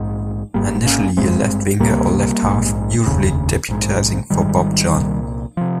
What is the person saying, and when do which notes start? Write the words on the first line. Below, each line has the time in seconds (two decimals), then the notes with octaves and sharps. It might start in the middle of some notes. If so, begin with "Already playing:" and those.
Initially a left-Winger or left-half, usually deputising for Bob John.
Already playing: A#1 G#2
0.54 G#1 G#2 G3 A#3
0.86 A#3 C#4
1.17 G#1 G2 G#3 C4
1.80 C#2 C3 G3 A#3
2.43 A#1 G#2
3.06 F1 D#2 C#3
3.69 A#1 G#2
4.30 G#1 G#2 D#3 G3
4.94 C2 A#2
5.57 C3 F3